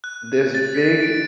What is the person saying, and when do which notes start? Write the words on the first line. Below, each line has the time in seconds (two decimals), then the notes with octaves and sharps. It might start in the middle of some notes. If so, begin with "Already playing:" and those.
this big
0.04 F#6
0.54 A6
0.74 B6
1.02 D7